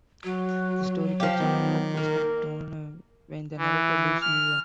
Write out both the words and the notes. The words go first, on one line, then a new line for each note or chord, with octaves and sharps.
The story takes on a more personal tone when the narrator leaves New York.
F#3 F#4
F3 G4 F5
D#3 B3
A#3 A#4
E3
F6